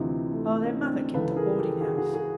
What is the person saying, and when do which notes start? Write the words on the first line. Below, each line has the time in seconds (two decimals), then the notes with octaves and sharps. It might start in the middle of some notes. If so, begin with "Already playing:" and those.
'Oh! their mother kept a boarding-house.
Already playing: D2 C3 E3 D#4 F4
0.31 A3
0.47 A3
0.64 C#4 D#4
0.81 C4 D4
1.14 C#2 C#3 E3 A4 B4
1.36 G#4 A#4
1.59 G4 A4
1.81 F#4 G#4
1.97 F#4 G#4
2.14 F#4 G#4